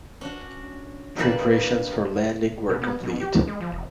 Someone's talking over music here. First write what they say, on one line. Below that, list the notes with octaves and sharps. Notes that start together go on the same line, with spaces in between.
Preparations for landing were complete.
C#4 D4 F#4
G3 A#3 D4 B4 D5
B2
B3
B2
G4
C#2
G#3
F3
F1